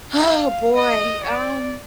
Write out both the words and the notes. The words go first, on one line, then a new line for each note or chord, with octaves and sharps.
Oh, boy, um,
F5
D#5
D5